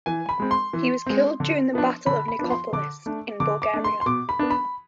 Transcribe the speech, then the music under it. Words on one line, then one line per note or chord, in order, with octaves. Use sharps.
He was killed during the battle of Nicopolis, in Bulgaria.
E3 G#5
B5
G#3 C4
C6
E3
G#3 C4
D3
F3 B3 D4
D3 B5
B5
F3 B3 D4
C6
D3 D6
A3 D4
D3 D6
D6
A3 D4
C6
C6
B2 D6
B5
B3 D4
B5